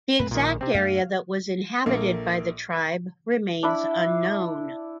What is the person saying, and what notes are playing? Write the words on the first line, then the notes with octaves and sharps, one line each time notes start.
The exact area that was inhabited by the tribe remains unknown.
F#2 A#2 C4 B4
A#1 A#2 D#3
C3 C4
F#2 A3 D4 F5
A#1 A#3 A4
D4 E4 B5